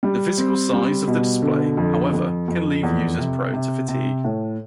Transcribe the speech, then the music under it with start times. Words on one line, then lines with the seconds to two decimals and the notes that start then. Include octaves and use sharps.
The physical size of the display, however, can leave users prone to fatigue.
0.03 G3
0.38 C4
0.73 G3
1.07 B2
1.42 D3
1.77 F2
2.14 F2
2.48 F2
2.83 E2
3.18 C3
3.53 C3
3.88 C3
4.24 A2